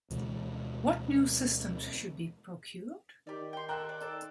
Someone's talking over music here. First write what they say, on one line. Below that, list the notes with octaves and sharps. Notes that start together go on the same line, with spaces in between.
What new systems should be procured?
D2 B2 E3 G#3
D#3 G4 D5
G5 C6
F#4 A4 A#4 G5 F#6
D5
A4 D5